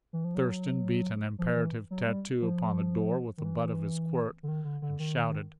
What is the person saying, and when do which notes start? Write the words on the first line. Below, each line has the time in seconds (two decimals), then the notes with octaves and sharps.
Thurston beat an imperative tattoo upon the door with the butt of his quirt, and shouted.
0.13 E3
0.24 F3
0.35 F#3
1.39 F3
1.56 E3
1.91 F#3
2.07 G3
2.42 F3
3.38 D#3
3.45 E3
4.43 D3
4.48 D#3
4.65 D3
4.82 D3
5.00 D#3